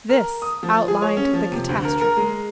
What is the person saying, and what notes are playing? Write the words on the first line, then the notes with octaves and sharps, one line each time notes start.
This outlined the catastrophe.
A#4
D#6
F3
G#4
C#5
C#4
F3
C3
D2
A#4
A#4
G#3